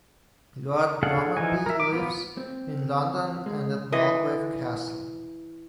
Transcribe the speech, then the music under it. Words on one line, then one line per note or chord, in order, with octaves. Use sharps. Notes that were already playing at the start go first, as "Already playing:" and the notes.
Lord Normanby lives in London and at Mulgrave Castle.
D4 G#4 A4 F5 F#5
E3 F3 D#4 G#5
A#4 E5
D6
B3 F4
C4
G#3
E3 D#5